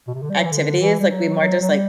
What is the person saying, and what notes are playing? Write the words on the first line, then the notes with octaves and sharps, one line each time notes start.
activities, like, we more just, like,
B2
C3
D3
G3
F#3
E3
D3
E3
G3
F#3
F#3
F#3
G3